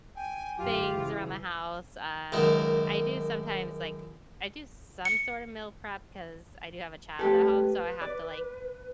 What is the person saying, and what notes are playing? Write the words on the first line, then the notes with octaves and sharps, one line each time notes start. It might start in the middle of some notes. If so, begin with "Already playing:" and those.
things around the house. Um, I do sometimes like uh, I do some sort of meal prep 'cause I do have a child at home, so I have to, like,
G5 G#5
F#2 D3 F4 G4
C#3 E3
C#2 F#2 D#3
C#7
A3 G4 A4 B4
D5